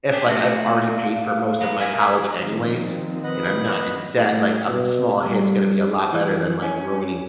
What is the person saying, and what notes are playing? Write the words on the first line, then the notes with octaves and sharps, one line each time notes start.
if like I've already paid for most of my college anyways, and I'm not in debt, like, a m small hit's gonna be a lot better than, like, ruining
D4 G4 G#4
A3 F4 F#4 E5
F5
F#3 B3
A#4 E5 G#5
D#3 F3 C4
B4 D#5 F#5
A2
B2
G3
E3
C#4